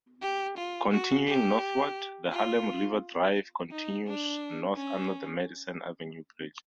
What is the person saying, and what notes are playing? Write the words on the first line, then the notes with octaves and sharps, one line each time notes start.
Continuing northward, the Harlem River Drive continues north under the Madison Avenue Bridge.
G4
F4
F#4
G4
F4
D#4
D4
C#4